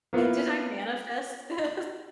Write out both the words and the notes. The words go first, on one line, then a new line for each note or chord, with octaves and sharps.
"Did I manifest this?"
A#3 B3 E4 F4